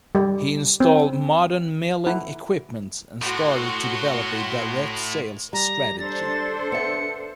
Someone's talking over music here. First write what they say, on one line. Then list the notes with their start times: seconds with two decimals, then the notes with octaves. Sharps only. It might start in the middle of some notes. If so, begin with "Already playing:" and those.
He installed modern milling equipment and started to develop a direct sales strategy.
0.15 G3
0.80 C4
2.06 E4
3.22 A2 F#4 C6
5.53 G3 A#5
5.99 D4 A4 C5 A6
6.72 B3 E5 C#7